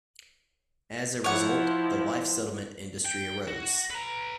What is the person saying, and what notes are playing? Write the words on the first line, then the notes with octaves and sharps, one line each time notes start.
As a result, the life settlement industry arose.
F3 E4 C#5 F#5
G5
F#4
B4 A#5